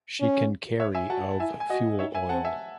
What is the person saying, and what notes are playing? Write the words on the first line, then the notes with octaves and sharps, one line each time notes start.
She can carry of fuel oil.
C#4
C#5 E5
E5 G#5
F#4 F#5 A5
A5
E4 E5 G#5
G#5
F#4 D#5 F#5
D#4 C#5 E5
E5 G#5
C4 F#5 A5
E5 G#5